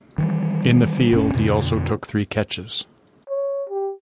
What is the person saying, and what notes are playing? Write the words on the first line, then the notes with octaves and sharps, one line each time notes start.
In the field he also took three catches.
D#3 E3 G3
F1 A2 C#4
F2 B2 D3
C#5
G4